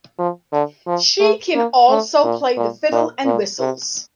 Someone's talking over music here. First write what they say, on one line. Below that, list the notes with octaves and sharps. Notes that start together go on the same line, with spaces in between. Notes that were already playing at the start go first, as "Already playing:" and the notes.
She can also play the fiddle and whistles.
F3
D3
F3
A3
A#3
A3
A#2
A#2
A#2
A#2
C3